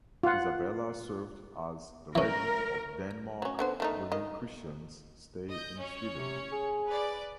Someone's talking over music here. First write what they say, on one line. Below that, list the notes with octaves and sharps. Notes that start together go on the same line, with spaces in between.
Isabella served as the regent of Denmark during Christian's stay in Sweden.
F4 F#5
E3 C#4 A#4
F#3 C#4
D3 B3 C5
D#3 A3 D#4
D#3 D#5
D#5 G6
C#4 C#5
C3
G#4
B4 D5